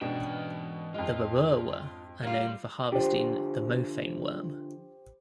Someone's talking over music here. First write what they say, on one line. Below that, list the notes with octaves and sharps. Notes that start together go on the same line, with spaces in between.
The babirwa are known for harvesting the mophane worm.
G#2 B2 E3 C#4 D4 G5
F2 G#3 F4
G3 A#3 F4
D3 F3 G4 C5